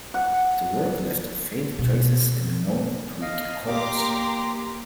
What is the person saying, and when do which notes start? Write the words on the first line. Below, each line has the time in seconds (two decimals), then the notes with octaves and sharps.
The work left faint traces in the known Greek corpus.
0.14 F#5
1.79 B2
3.22 D#5 F5
3.68 A#3 G4 A#5 C6 D6